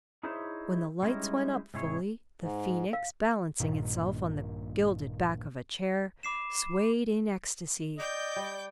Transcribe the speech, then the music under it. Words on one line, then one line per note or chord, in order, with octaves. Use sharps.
When the lights went up fully, the Phoenix, balancing itself on the gilded back of a chair, swayed in ecstasy.
D#4 E4 G#4 C5 C#5 E5
G3 G#3 C#4 D#4 E4
G#2 C3 E4 G#4 C#5
G#2
F5
A#1 G2 A#2 D#3
B5 D6 C7 E7
D5 D#5 G5 D6 G6
G3